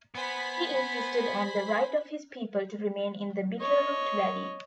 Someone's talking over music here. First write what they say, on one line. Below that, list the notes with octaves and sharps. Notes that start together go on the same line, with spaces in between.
He insisted on the right of his people to remain in the Bitterroot Valley.
B3 C5 G#5 B5 B6
C#5 D#5